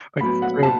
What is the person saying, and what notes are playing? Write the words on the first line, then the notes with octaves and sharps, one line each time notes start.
Like, so
A2 F#3 B3 B5
F#5
A5